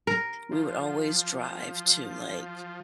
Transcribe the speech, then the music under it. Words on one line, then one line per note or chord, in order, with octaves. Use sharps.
we would always drive to, like,
A#4
F3